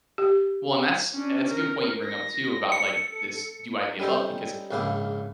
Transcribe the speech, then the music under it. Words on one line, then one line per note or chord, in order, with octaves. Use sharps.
Well, and that's that's a good point you bring up, too, about like this "Do I give up?" Because
G4
C#4 D4
A#4
A#6
A4 C#7
G3 C#4 D#4 A4 C5
A#1 G#2 C#3 A#3 E4 D6